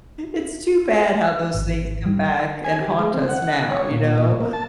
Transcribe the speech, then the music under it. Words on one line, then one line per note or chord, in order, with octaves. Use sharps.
It's too bad how those things come back and haunt us now, you know?
G#1
G3
G#5
G4
G#3
C4
F#5
F#5
C#5
A#2
A#2
A#3
A5